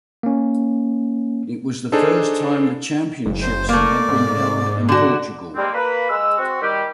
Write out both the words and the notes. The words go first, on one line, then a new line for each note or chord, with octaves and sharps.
It was the first time the Championships had been held in Portugal.
A#3 C#4
D4 D#4 G#4 A4 C5
F#1
C5
A3 A#3 D5
G#2
D3 F#4
G3 G#3 A#3 C4
A#3 B4
G#3 E6
C4 F#4
D#3 G3 G4